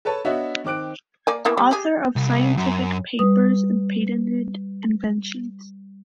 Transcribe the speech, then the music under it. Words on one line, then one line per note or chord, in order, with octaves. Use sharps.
Author of scientific papers and patented inventions.
A4 B4 C#5 A5
B3 D4 F#4 C#5 D#5 E5
D#3 C4 D6 F#6 D7
A#3 D5 G#5
A#3 B3 E4
G3
G4 G#4
C2
F#2
G3 B4 D#6